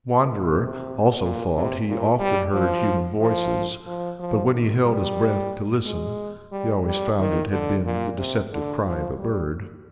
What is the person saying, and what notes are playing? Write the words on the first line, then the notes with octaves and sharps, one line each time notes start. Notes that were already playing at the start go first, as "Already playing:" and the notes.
The wanderer also thought he often heard human voices, but when he held his breath to listen, he always found it had been the deceptive cry of a bird.
A#2
C3
A#2
C3
A#2
G3
F3
F3
F3
F3
D#3
G3
G#3
G3
G3
D#3
D3
A#2
C3
D3
F3
G3